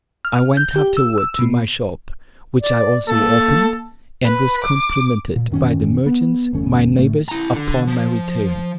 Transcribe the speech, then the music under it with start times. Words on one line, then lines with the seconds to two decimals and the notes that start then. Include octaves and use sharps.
I went afterwards to my shop, which I also opened; and was complimented by the merchants, my neighbours, upon my return.
0.25 F6
0.57 G6
0.76 G4
0.97 E6
1.18 E6
1.39 B2
2.62 D5
3.08 A#3 A4
4.25 B4
4.64 D6
5.36 A#2
5.51 A1 F#2 D#3 C#4
6.06 B3
6.53 G1 E2 A3 C#4
6.98 A1 A2 A3
7.29 E4 A#5
7.55 D3
7.87 F3